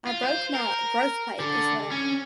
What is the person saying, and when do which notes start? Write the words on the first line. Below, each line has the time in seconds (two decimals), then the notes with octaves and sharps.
I broke my growth plate, is what I
0.07 F4
0.24 C5
0.55 A#4
1.40 D3
1.91 C#4